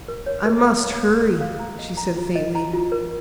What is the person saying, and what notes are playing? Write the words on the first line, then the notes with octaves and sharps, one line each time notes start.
"I must hurry," she said faintly.
A#4
C#5
A#4
F5
F5
F5
F5
F5
A#5
D#5
A#5
F4
D#5
A#5
F4
A#4